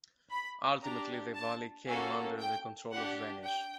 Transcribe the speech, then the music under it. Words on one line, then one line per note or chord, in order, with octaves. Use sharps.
Ultimately the valley came under the control of Venice.
B5
D4 G4 A#5
A5
A#3 C#4 F#4 A4 G#5
G5
D4 G4 F#5
G5